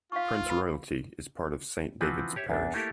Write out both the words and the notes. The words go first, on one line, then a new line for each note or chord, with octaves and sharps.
Prince Royalty is part of St. David's Parish.
F4 F5 C#6
B4 B5
E3 F3 C4 F#4 B4
G4 C#5 E5
E2 D4
A3 A#3 E4 G4 A4 A#4